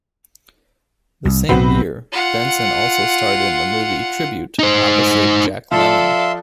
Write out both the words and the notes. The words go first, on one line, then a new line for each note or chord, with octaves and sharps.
The same year, Benson also starred in the movie "Tribute" opposite Jack Lemmon.
C2
B1 A2 C4 F#4 B4
F4 F#5
D#4 C5
F3 A4 D5 E5 F5 C6